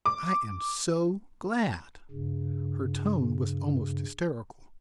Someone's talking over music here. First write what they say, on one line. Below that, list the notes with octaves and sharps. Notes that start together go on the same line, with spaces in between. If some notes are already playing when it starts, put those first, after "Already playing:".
"I am so glad!" Her tone was almost hysterical.
D6
G2 C#3